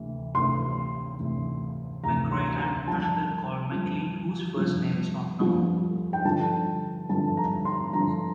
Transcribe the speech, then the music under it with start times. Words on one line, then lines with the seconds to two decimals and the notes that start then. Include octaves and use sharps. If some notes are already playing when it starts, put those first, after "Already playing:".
McRae, and another called MacLean, whose first name is not known.
Already playing: D2 C3 E3
0.34 D2 C3 E3 C6
1.19 D2 C3 E3
2.03 D2 C3 E3 A#5
2.32 C6
2.59 A#5
2.88 G2 F3 A5
3.72 G2 F3
4.57 G2 F3
5.40 G2 F3
6.13 G5
6.25 G2 D3 F3 A5
7.09 G2 D3 F3 A5
7.37 A#5
7.65 C6
7.93 G2 D3 F3 A#5